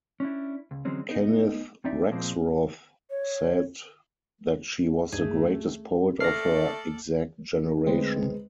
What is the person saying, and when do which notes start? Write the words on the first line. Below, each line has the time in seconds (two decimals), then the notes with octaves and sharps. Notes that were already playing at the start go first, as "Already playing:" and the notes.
Kenneth Rexroth said that she was the greatest poet of her "exact generation".
0.20 C#4 D4 E4
0.71 C#2
0.85 D3 E3 F#3 G#3 C4 C#4
1.09 B3 D#4
1.84 E2 C4 D#4 D5 E5
2.11 A#2 F3 G#3 C4
3.10 C#5
5.12 D2 G2 A3 D#4 G#4
6.20 A3 A4 D5 F6 A#6 C7
7.86 D2 G#3 C4 B4